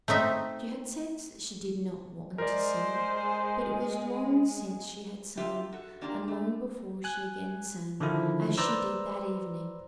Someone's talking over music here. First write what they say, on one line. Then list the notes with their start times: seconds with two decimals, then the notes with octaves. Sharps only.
She had said she did not want to sing, but it was long since she had sung, and long before she again sang, as she did that evening.
0.08 A3 C4 D#4 E5
2.38 G#3 A#4 C5 D5
5.37 F#2 F4 G4 E5
5.73 F#4 A4
6.01 A#3 D4 F4 G4 G#4 A#4
6.28 A3
7.04 G#5 F#6
8.00 D3 D#3 F3 E4
8.57 B4 C5 D5 A#5 E6